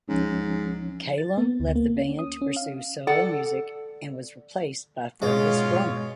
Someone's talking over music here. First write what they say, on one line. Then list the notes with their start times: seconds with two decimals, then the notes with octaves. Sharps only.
Calum left the band to pursue solo music and was replaced by Fergus Romer.
0.09 C#2 G#2 F3 C#4
1.18 A6
1.38 B3
1.60 D2
1.75 A#3
1.97 C#4
2.19 D#6
2.41 C#4
2.56 F5
3.07 A4 D5 F#5
5.22 G#2 B2 G#3 C#4 F4 C#5